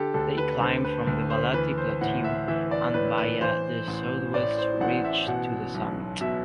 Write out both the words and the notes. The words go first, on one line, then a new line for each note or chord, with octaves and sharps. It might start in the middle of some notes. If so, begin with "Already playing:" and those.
They climbed from the Balati plateau and via the southwest ridge to the summit.
Already playing: D3 G4 A4
D2 A4
B4
D2 C5
B4
D2
C5
E3 B4
C5
A2 F#5
E5
E3 E5
D5
A2 B4
B4
E3 C5
A1
A2 D5
C5
A1 F#5
E5
B2 F#5
B1
B2 E5